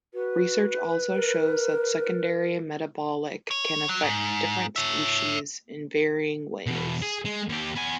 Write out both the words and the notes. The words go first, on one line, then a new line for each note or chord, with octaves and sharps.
Research also shows that secondary metabolic can affect different species in varying ways.
F#4 B4
A#4
C#5
F#3
G#2
C#5 E5
E2 B2
G#4
G#3
D#2 G4
B3 G#5